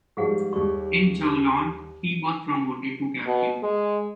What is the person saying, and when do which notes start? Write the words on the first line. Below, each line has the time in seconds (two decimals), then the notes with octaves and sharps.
In Toulon he was promoted to Captain.
0.17 G#2 F3 G3 G4 G#4 F#5
0.53 D#2 G3 C#6
3.26 B2
3.63 G#3